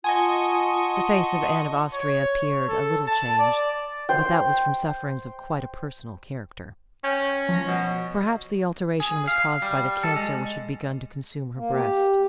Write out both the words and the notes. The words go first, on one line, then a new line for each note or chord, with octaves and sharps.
The face of Anne of Austria appeared a little changed, but that was from sufferings of quite a personal character. Perhaps the alteration was caused by the cancer which had begun to consume her breast.
F4 D#5 F#5 G#5 A5 C6 C#6 D#6
C#5
A4
A5
D5
C5 G5
C#4 G5
F3 A#6
B2
G#4
F5
G3
A4
G#3
A#3
G4